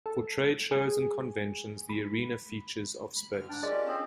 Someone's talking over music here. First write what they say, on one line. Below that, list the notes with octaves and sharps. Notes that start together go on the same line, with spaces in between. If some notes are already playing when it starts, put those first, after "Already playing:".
For trade shows and conventions the arena features of space.
A4
G#4
B5
B5
D2 F6
G#2 D4 G5
C#4 F4 G4 G#4 A#4 D5 D#5
C4 D4 A4 C#5